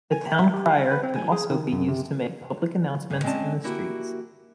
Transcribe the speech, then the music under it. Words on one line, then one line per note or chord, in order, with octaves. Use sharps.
The town crier can also be used to make public announcements in the streets.
G#5
E5
G4
F5
B4
C4
G#5
G#4
D#3
F#2
C3
G2
G#3 C4 C#4 D5 A5
A#3 E4 F#4 G4